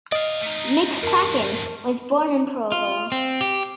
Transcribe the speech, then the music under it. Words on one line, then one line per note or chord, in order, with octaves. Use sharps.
McCracken was born in Provo.
D5 D#5 F5
A3 D#4
E2 G2 A#4 A5
F4
C4
G4